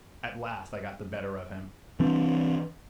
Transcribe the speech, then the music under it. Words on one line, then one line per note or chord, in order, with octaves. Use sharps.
At last I got the better of him.
E3 C4 D4